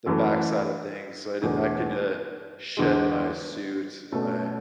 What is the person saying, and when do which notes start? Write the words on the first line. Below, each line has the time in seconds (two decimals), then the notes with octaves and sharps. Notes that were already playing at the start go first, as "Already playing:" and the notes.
the backside of things, so I d I could, uh, shed my suit and my
0.06 F#2 E3 A3
1.42 E2 B2 A3 D4 G#4
2.77 E2 D3 G#3
4.12 B2 A3 C#4